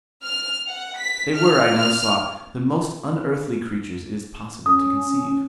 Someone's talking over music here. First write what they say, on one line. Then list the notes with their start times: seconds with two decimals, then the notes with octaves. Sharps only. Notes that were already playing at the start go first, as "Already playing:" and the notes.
They were, I now saw, the most unearthly creatures it is possible to conceive.
0.24 F6
0.67 F#5
0.98 B6
1.36 F6
1.78 F6
4.66 C#4 D#6